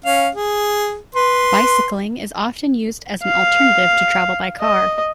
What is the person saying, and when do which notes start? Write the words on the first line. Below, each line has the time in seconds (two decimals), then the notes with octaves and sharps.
Bicycling is often used as an alternative to travel by car.
0.05 C#4 F5
0.35 G#4
1.15 B4 C6
3.23 F5
4.60 D#5